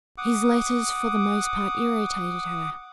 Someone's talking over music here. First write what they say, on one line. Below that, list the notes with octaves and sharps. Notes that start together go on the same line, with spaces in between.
His letters for the most part irritated her.
F#5 D6 D#6